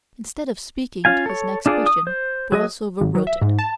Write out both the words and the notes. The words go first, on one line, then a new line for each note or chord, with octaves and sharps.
Instead of speaking his next question, Borlsover wrote it.
C#4 F4 F5 G#5
A4 C#5
D4 F4 G#4 D5
D#6
C5
F#3 G#4 D#5
G#1
F#3
E5
G#2
A5